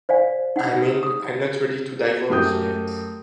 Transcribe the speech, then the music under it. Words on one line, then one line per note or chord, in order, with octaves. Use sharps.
I mean, I'm just not ready to divulge yet.
C5 D5 F5 G#5
D#4 F#5
D#6
F#2 A3 G4 D#6 G6